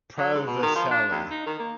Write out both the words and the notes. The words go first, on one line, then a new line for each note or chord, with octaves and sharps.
Pro Vercelli.
F#3
G#2
B2
D#3
F3
D4
D#2
D#4
D#3
A#3